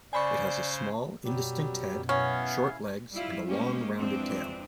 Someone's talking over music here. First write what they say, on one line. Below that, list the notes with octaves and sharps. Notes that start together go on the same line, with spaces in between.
It has a small, indistinct head, short legs, and a long, rounded tail.
C#3 C5 D5 G#5 B5 C#6
F#2 B2 F#3 G3 G4
B3 C#4 E4 F5
G3 E4 F4
G#3 A#3 C#4 G4 C5
F2 E3 G#3 C4 D4